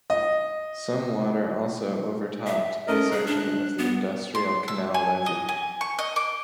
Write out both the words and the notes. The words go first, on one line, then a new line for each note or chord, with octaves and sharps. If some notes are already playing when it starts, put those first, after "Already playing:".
Some water also overtopped a section of the Industrial Canal levee.
D#5
E5
A3 C#4 A#4 D#5
G#4 F#6
D4
B3
C6
E6
G#5
D#5
G#5
C#6
D#5
D6